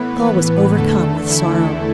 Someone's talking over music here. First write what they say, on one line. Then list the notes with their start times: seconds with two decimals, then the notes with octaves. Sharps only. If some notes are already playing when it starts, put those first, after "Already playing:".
Saul was overcome with sorrow.
Already playing: A2 E3 B3 B4
0.23 B3 B4
0.76 E2 D3 A3 A4
1.29 E4